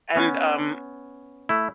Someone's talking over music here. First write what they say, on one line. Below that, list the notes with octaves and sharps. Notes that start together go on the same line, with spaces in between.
And, um,
B3 C#4
A3 E4